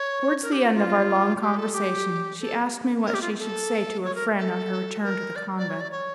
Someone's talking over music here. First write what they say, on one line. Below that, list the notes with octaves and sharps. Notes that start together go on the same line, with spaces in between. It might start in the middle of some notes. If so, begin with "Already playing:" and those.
Towards the end of our long conversation, she asked me what she should say to her friend on her return to the convent.
Already playing: C#5
A#4
G4
F4
F4
G4
A4
G4
A4
A#4
G4
F4
A4
C#5
A#4
A4
A#4
D5
D5
C#5
D5
C#5